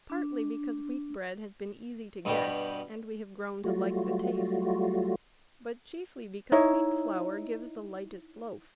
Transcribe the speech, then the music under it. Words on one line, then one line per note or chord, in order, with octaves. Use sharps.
Partly because wheat bread has been easy to get and we have grown to like the taste, but chiefly because wheat flour gives the lightest loaf.
D4
G2 B2 G3
F#3 G3 A3 F4 F#4
D#4 E4 C#5